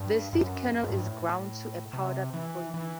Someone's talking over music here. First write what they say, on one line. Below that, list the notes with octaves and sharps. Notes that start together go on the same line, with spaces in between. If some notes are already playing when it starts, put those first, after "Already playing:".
The seed kernel is ground to a powder before use.
Already playing: G2
F#2
F#2
A2
G2
A2
C3
E3
E3